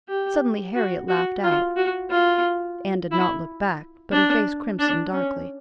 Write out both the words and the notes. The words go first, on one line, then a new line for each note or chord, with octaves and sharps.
Suddenly Harriet laughed out. Anne did not look back, but her face crimsoned darkly.
G4
F#4
F#4
F4
F#4
F4
E4
D4
D4
C#4